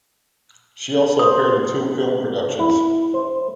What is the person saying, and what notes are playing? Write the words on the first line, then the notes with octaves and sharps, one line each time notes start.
She also appeared in two film productions.
C5 D#6
E4
C5